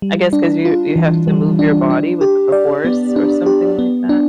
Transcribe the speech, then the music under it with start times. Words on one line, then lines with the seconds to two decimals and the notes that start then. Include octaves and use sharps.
I guess 'cause you you have to move your body with a horse or something like that.
0.02 G3
0.33 D4
0.65 F4
0.96 E3
1.28 G3
1.59 D4
1.90 D4
2.21 G4
2.52 D5
2.85 B3
3.16 D4
3.46 G4
3.79 B3
4.09 D4